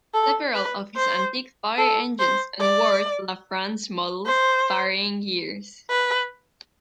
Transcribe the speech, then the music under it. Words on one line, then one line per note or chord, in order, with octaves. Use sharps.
Several of his antique fire engines are Ward LaFrance models of varying years.
A4
B4
C5
A4
C5
D5
C5
B4